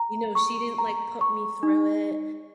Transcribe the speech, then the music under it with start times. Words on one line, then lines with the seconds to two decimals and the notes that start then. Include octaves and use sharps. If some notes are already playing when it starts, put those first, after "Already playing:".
You know, she didn't, like, put me through it,
Already playing: A#5
0.35 C#6
0.78 A#5
1.21 C#6
1.63 D#4